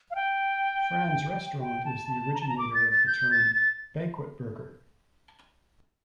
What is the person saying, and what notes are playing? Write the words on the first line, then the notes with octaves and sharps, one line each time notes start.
Fran's Restaurant is the originator of the term "Banquet Burger".
F5
G5
G5
A5
A5
A#5
A5
A#5
D6
A6
A6
G6
A6
A6